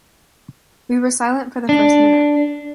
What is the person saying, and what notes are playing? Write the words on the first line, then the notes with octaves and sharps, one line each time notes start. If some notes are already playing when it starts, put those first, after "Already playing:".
We were silent for the first minute.
D4